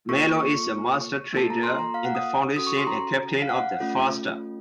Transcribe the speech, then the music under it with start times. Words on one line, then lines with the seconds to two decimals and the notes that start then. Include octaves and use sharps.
Mallow is a Master Trader in the Foundation and captain of the "Far Star".
0.09 A#3 F4 A4 C#6
0.39 C#6
1.32 A#3 F4 A4 A5
1.50 A#5
1.63 C6
1.79 A#5
1.94 F5
2.05 F#5
2.15 D#6
2.56 C#4 F#4 A4 D#6
2.67 C#6
2.77 C6
2.87 A#5
3.42 F5
3.49 F#5
3.80 A3 C#4 F4 A4